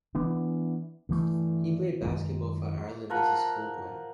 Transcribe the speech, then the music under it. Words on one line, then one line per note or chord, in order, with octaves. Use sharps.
He played basketball for Ireland as a schoolboy.
E3 B3 D4
G2 E3 A3
F#2 D#3 G#3
F3 A#4 F#5